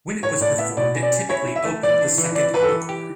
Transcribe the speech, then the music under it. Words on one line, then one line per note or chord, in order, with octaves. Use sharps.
When it was performed it typically opened the second encore.
A2 C#5
A2 D5
B3 E5
B2 D5
C#4
D5
C#4
E4 C#5
E4
E5
A3
E3 D5
D4
E3
E3 D5
E3 B4
A4
E3
G4